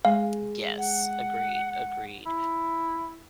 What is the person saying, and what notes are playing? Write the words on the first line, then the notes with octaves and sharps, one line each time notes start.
M yes, agreed, agreed.
G#3 F5
F#5
E4